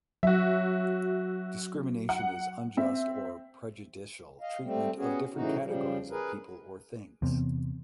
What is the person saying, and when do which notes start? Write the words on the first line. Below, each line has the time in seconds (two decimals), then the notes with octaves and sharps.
Discrimination is unjust or prejudicial treatment of different categories of people or things.
0.23 F#3 F#4 E5
2.09 F#5
2.77 C4 E5
4.41 D#5 F5
4.63 G3 A3 C4
4.97 B3 C#4 F#4 G#4
5.34 A2 C#3 E3 D#4 F#4
5.61 C#3 F3 G3
6.10 G#4 A#4 B4
7.22 E2 C3